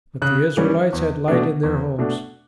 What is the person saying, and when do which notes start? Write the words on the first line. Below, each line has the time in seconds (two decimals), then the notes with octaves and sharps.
But the Israelites had light in their homes.
0.22 C#3 F#6
0.57 E3 G3 C#4
0.93 E2
1.28 B2 A3 D4
1.63 E2
1.99 B2 A3 D4